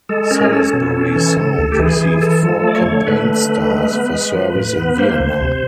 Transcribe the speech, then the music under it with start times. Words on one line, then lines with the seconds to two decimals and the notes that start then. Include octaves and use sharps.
"Salisbury Sound" received four campaign stars for service in Vietnam.
0.09 G#3 A4
0.31 C#4 A#4
0.44 G#4
0.52 C#4 A4
0.73 B2
0.95 C#4
1.16 E3
1.37 C#3
1.58 D2
1.72 G4
1.80 E3 G#4
2.01 E3 G#4
2.21 E3 A4
2.43 F3 A4
2.64 A3 D5
2.75 C#5
2.86 D3
3.07 A3 B4
3.28 D3
3.49 A3
3.71 G#3
3.92 B3
4.13 G#3
4.34 F3
4.55 A2
4.77 B3
4.98 A#3 C5
5.20 D2
5.41 C3